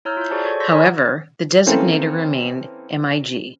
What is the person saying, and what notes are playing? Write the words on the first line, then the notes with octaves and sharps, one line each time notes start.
However, the designator remained "MiG".
E4 C#5 A#5 E6 F6 G6
F4 G6
F#4 G#4 C5 D5 A5
A4 C#5 D5 C#6
C6 C#6 E6 G6 A#6 B6
C#5 G#5 B5 F6 A#6
E3 A#3 C4 C#4 A4